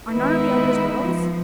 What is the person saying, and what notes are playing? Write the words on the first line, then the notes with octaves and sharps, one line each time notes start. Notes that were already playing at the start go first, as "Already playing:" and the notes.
"Are none of the others girls?"
D#3 G#3 B3 D#4 E4 B4
F3